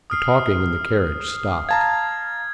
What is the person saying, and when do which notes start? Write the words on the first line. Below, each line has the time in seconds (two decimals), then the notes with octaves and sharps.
The talking in the carriage stopped.
0.10 D#6 F6 C7
1.69 F5 A5 A#5 G#6